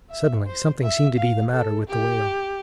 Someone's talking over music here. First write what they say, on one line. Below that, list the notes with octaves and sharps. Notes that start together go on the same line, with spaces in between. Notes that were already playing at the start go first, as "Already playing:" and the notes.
Suddenly something seemed to be the matter with the whale.
E5
C5
E5
F5
A4
G4